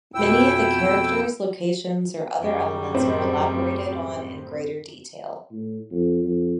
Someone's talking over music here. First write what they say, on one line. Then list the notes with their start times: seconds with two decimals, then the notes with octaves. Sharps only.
Many of the characters, locations, or other elements are elaborated on in greater detail.
0.15 F2 B2 E4 G5 E6
2.41 F#2 C#3 G3
2.94 A2 C4
5.52 A2
5.91 F2
6.24 F2